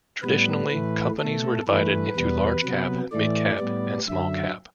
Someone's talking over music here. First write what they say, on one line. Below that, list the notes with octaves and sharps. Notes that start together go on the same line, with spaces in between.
Traditionally, companies were divided into large-cap, mid-cap, and small-cap.
A2 G3 B3 B4
A2 E3 A3
B2 A3 A4
G2 E3 A3 B4
E2 B2 G3 B3
C3 F#3 B3
A2 E3 A3 D5
A2 G3 B3
F#2 D3 F#3 E5